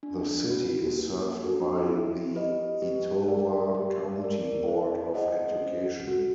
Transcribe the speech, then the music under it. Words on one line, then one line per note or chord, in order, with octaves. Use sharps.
The city is served by the Etowah County Board of Education.
D4
F#4 B4
A#3
D4 F#4 A4
E4
G4 B4 D#5
G4
A#4 D5 G5
G4
A#4 D5
E4
G#4 C5 D#5 F#5
C#4
F#4 A4